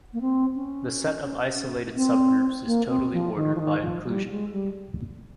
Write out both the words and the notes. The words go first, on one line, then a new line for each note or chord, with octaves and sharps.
The set of isolated subgroups is totally ordered by inclusion.
A#3
C4
C#4
C4
A#3
C4
F3
D#3
F3
D#3
F3
G3
G#3
G3